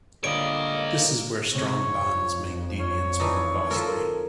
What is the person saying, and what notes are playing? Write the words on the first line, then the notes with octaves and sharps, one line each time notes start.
This is where strong bonds make deviance more costly.
A#2 D3 G3 A#3 C#5 D#5 D7
C3 C#5
F2
C#5
E3 D4 D#4
F3 A4 A#4